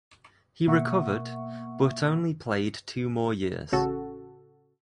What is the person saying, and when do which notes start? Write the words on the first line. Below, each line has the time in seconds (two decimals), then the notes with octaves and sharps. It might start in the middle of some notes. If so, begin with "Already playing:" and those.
He recovered, but only played two more years.
0.68 B2 A#3 E5 F#5 C#6
3.72 A1 C#3 F#4 A4